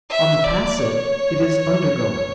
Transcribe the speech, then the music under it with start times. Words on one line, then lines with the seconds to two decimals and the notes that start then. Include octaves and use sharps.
On the passive, it is undergoing.
0.10 E5
0.44 D5
0.78 C#5